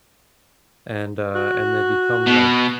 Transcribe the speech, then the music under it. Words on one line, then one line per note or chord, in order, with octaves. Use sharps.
and, uh, and they become, like,
F#4
B2